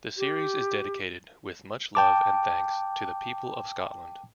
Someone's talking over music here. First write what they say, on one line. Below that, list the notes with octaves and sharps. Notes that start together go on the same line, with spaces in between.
The series is dedicated "with much love and thanks to the people of Scotland".
G4
G5 A5 D6